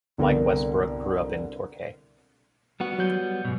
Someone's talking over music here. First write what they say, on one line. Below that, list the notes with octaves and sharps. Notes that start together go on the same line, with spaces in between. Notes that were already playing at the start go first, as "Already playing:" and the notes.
Mike Westbrook grew up in Torquay.
C2 D3 B3 A#4
G3 B3 F#4
F#3 G6
G#2 B2